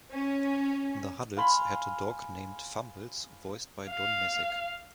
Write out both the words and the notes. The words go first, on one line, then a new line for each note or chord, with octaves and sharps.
The Huddles had a dog named Fumbles, voiced by Don Messick.
C#4
F5 G#5 B5 C6
F5